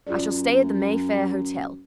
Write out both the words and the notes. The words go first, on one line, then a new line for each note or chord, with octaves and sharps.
I shall stay at the Mayfair Hotel.
F#2 F4 G#4 D5